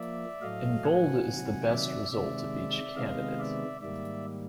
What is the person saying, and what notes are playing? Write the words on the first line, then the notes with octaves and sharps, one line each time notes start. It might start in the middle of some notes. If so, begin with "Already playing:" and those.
In bold is the best result of each candidate.
Already playing: F3 A#3 D5 E5
A2 F#3 A3 D#5 F5
F#5 G#5
C3 D#3 F#3
D5 E5
C3 D#3 G#3 D5 E5
C3 D#3 G#3 B3 D#5 F5
D5 E5
G#2 D#3 G3 A#3 D5 E5